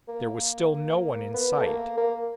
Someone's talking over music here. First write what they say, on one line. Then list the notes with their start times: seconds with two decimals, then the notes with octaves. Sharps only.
There was still no one in sight.
0.08 A#3
1.34 B3
1.58 A3
1.66 A#3
1.97 A#3